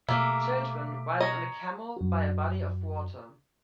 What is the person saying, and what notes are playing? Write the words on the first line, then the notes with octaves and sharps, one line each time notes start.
Children riding on a camel by a body of water.
B2 A3 A#3 G4 E5
C#5 D#5 A#5
F#2 F#4